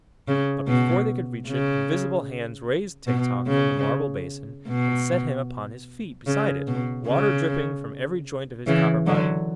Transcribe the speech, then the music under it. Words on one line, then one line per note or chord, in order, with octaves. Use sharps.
But before they could reach it, invisible hands raised Tik-Tok from the marble basin and set him upon his feet beside it, water dripping from every joint of his copper body.
C#3
B2
C#3
B2
C#3
B2
C#3
B2
C#3
C#3 E3
D3 F#3